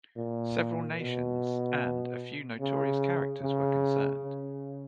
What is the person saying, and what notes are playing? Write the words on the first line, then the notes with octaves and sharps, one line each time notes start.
Several nations and a few notorious characters were concerned.
A#2
B2
C#3
C#3
C#3